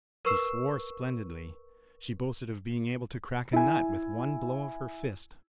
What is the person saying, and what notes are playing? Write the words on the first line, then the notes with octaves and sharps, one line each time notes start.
She swore splendidly; she boasted of being able to crack a nut with one blow of her fist.
A#4 B4 C#6 E6 C7 E7
E4 G#5